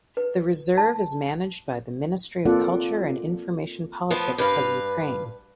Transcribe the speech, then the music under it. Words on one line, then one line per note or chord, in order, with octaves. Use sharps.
The reserve is managed by the Ministry of Culture and Information Politics of Ukraine.
B4
A5
A#3 C4 F4 A4 D5 F#5
F3 A3 B3
G2 B4 F5